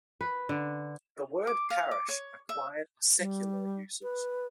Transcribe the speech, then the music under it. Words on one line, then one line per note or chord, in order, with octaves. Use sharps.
The word "parish" acquired a secular usage.
B4
D3
D6
F5
D6
C#5
E5
G3
B4